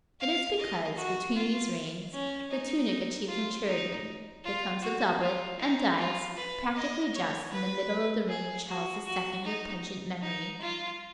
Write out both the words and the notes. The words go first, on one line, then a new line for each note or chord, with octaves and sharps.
It is because, between these reigns, the tunic achieves maturity, becomes a doublet, and dies, practically just in the middle of the reign of Charles II. of pungent memory.
F5
D#5
F#4
F4
C#4
D#4
F4
D#4
F4
F#4
F4
D#4
F4
B4
D#5
C#5
B4
G#4
F#4
F#4
D#4
D#4
F4